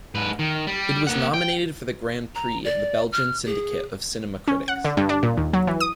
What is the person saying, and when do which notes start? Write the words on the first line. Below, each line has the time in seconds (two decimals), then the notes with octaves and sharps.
It was nominated for the Grand Prix of the Belgian Syndicate of Cinema Critics.
0.15 G#2 B4
0.39 D#3
0.67 G3
1.07 A#3 F#5
1.34 G5
2.35 A#5
2.64 D5
3.12 F6
3.46 G#4
4.48 C#4
4.68 F#5
4.85 D3
4.97 G2
5.09 D4
5.23 A#2
5.37 D#2
5.53 F#3
5.67 E3
5.80 D#6